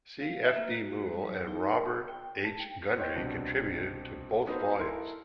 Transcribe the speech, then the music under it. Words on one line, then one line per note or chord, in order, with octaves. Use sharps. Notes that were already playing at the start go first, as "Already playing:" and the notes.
C. F. D. Moule and Robert H. Gundry contributed to both volumes.
F5
E5
A#3
F#4
G3
F#3
D#4
A#4
D#6
G5
A5
G5
C5 C#5 D#5 G5
C2 B2 C4 D4
B3 D#4 F#4 A4 B4 C5
E4 A4 A#4 C6